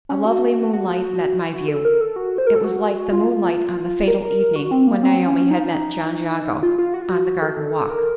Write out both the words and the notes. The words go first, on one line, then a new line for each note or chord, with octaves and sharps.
A lovely moonlight met my view; it was like the moonlight on the fatal evening when Naomi had met John Jago on the garden walk.
C#4
F#4
F#4
A4
A#4
A4
F#4
C5
A#4
A4
F#4
F4
A#4
F#4
C4
A#3
C4
C#4
D#4
F4
F4
F#4
F4
F#4
A4
A#4